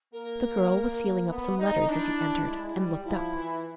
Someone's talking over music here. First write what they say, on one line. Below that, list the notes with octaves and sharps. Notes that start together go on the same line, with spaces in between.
The girl was sealing up some letters as he entered and looked up.
A#3 A#4
B3
D#4
D4 E4
G#3
G3
F3 E4
E3